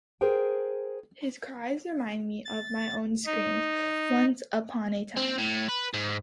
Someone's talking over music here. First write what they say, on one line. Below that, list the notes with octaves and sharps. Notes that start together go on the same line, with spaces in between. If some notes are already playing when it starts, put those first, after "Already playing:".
His cries remind me of my own screams, once upon a time.
G#4 A#4 C5 G5
A6
D#4
C4
A2
B4
G#2